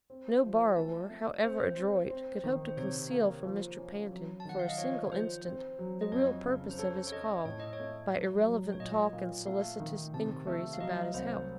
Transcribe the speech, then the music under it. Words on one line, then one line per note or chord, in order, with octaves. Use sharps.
No borrower, however adroit, could hope to conceal from Mr. Pantin for a single instant the real purpose of his call by irrelevant talk and solicitous inquiries about his health.
C4
F3
A3 A5
A3
C4 C5
C4
C4
D#3
C5
C3 C#5
A#3
F3
C#4
F#3
A5
D#3 F#5
F5
D#5
F3 C#5
F3 C5
C4
F#3
D#5
F2 C#5
C#3
C5
A4 C#5
C#5
A4 D#5
A2 C#5
D#5
C#5
A3
F#3
F#3
C#5
A#2 D#5
A#2
A3 F5
D#3
C3 A5
A3
F5
F#3 D#5
C2 C5